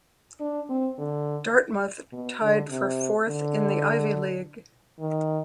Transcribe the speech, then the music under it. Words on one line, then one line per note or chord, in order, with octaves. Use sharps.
Dartmouth tied for fourth in the Ivy League.
D4
C4
D3
B2
D3
C3
D3
D#3